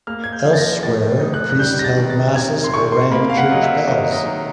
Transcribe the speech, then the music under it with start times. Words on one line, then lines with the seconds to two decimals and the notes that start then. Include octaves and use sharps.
Elsewhere, priests held masses or rang church bells.
0.07 A#3 F6
0.24 G#6
0.32 G6
0.45 F3
0.53 A6
0.58 A#6
0.83 A2 A6
1.21 D#4
1.34 F#6
1.50 F#6
1.59 G3 G6
1.79 A#6
1.84 A6
1.97 D#3
2.10 A6
2.35 C3 G#6
2.64 C6
2.73 C3 C#6
2.92 C6
3.11 A#3 B5
3.30 F5
3.37 F#5
3.50 F#3 D#5
3.62 E5
3.87 D#3 D#5
4.13 D#5
4.25 D#3